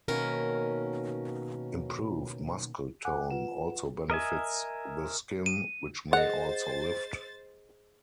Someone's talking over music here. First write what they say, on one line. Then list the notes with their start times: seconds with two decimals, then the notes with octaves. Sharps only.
Improved muscle tone also benefits the skin, which may also lift.
0.08 B2 D#3 A#3 C#4 A#4
3.05 F#5 G#5 D6 F#6
3.31 F4 B4 F#5 E7
4.10 A#4 D#5 E5 G#5
5.46 D#7
6.13 G#4 C5 D#5 F#5 A6